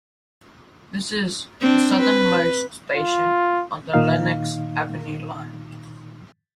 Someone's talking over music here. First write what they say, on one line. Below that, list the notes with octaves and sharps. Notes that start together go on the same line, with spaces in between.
This is the southernmost station on the Lenox Avenue Line.
C4 D4
B4
F4
A#2 D#3 D#4 F5